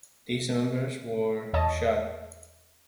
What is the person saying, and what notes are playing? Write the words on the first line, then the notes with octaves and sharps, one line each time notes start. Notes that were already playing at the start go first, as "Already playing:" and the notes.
These members were shot.
E2 C#5 D#5 A5